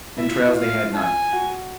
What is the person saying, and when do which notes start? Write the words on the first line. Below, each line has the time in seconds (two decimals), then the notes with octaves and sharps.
Entrails they had none.
0.17 E4 E5
0.29 F4
0.43 E4
0.56 F4 F5
0.94 G#5
1.33 F#4